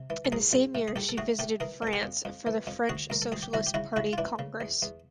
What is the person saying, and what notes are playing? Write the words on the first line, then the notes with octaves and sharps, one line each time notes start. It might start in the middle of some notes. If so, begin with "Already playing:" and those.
In the same year, she visited France for the French Socialist Party Congress.
Already playing: C3
E3
A4
A#1 G#4 A#4
A#1
A2
G#4
A#1 G4 A4
A4
A2 F#4 G#4
A2 G4 A4
E3 G#4 A#4
F2 A#4
G4 A4
F2
F2
E3
F2
D2 F#4 G#4
D2 A#4
A4
D2 G#4
G4
D2 E4 F#4
G4
C#3 E4 F#4
C#3 E4 F#4
F4
E3 D4 E4
C#3
E2
E2